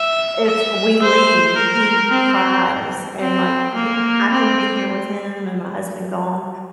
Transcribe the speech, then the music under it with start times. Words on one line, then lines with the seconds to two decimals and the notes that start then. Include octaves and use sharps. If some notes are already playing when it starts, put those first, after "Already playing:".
If we leave, he cries and, like, he I can be here with him and my husband gone,
Already playing: E5
0.47 E5
1.02 C5
1.57 A#4
2.11 C4
3.20 C4
3.75 A#3
4.30 C4